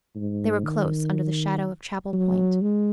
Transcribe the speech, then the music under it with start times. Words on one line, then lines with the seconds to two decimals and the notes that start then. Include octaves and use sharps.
They were close under the shadow of Chapel Point.
0.15 G#2
0.65 D#3
2.13 F#3
2.62 G#3